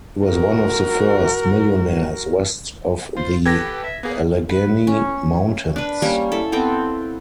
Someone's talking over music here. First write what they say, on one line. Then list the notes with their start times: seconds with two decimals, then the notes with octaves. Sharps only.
He was one of the first millionaires west of the Allegheny Mountains.
0.22 F#4 A#4
3.17 F4 C5
3.46 G4 A4 B4 G5 G#6 A#6
3.84 E5
4.03 A#3 B3 G#4
4.49 B4
4.87 C#4
5.76 D4 B4
6.02 G3 A#3 C#4
6.32 E4 A4
6.52 B3 C4 A4 G5